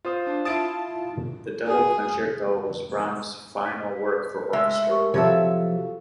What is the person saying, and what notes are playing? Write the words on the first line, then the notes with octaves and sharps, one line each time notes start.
The Double Concerto was Brahms' final work for orchestra.
F4 C5 D#6
D4
E4 F4 A5 D#6 A6 D7
G#4
B6
A2 G#3 E5
G4 A#4 C#6
C3 F3 F#3 G4 A4 C#5 E5 F5